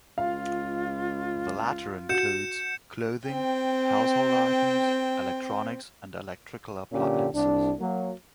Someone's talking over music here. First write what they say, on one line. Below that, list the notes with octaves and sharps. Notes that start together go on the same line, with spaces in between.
The latter includes: clothing, household items, electronics and electrical appliances.
C#2 F4 F5
F#4 G6 C#7 E7
C4 G5
A#2 D3 C#4 G4
C2 D4
F#3 A#3